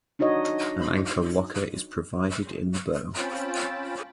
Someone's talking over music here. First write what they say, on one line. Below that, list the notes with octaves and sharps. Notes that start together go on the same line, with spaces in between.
An anchor locker is provided in the bow.
D4 D#4 F#4 C#5 D#5
C4 C#4 F4 G5 A5 B5